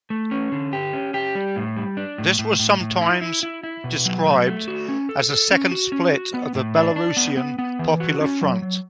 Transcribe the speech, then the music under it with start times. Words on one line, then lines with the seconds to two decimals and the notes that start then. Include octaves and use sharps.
This was sometimes described as a "second split" of the Belarusian Popular Front.
0.10 A3
0.31 C#4
0.52 D3
0.73 G4
0.93 C#4
1.14 G4
1.35 G3
1.56 A2
1.76 G3
1.97 D4
2.18 A2
2.39 A2
2.60 A2
2.80 A2
3.01 E4
3.22 E4
3.43 E4
3.64 E4
3.84 B2
4.05 F#3
4.25 A3
4.46 A3
4.68 F#4
4.89 C#4
5.09 A4
5.30 A4
5.51 C#4
5.71 F#4
5.92 C#4
6.13 F#4
6.34 B3
6.55 A2
6.75 D4
6.96 D4
7.17 B3
7.37 B3
7.59 B3
7.79 E3
8.00 F#4
8.21 C#4
8.41 F#3
8.62 F#3